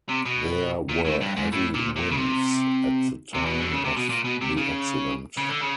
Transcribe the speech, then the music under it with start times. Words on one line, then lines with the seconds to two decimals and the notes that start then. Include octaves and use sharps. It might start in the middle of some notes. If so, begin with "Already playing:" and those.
There were heavy winds at the time of the accident.
0.09 C3
0.26 B2
0.89 A#2
1.05 A2
1.21 G2
1.37 G#2
1.53 A2
1.75 A#2
1.96 A#2
2.11 C#3
2.17 C3
3.34 C3
3.45 B2
3.60 D3
3.72 C#3
3.84 C3
3.96 B2
4.09 A#2
4.24 B2
4.41 C3
4.57 C#3
5.37 C#3
5.49 D3
5.61 C#3